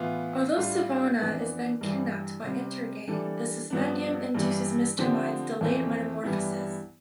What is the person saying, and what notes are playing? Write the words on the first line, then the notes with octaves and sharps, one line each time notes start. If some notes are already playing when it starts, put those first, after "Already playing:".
Although Sivana is then kidnapped by Intergang, the Suspendium induces Mister Mind's delayed metamorphosis.
Already playing: A2 E3 B3 F4
A2 G3 D4 F4
F2 E3 B3 D4
G2 E3 G3
C3 G3 C4
E3 G3 D4 A4
G2 F3 B3 D4
G2 E3 G3
D3 F3 C4 G4
F2 E3 A3 C4
G2 E3 G3 B3 E4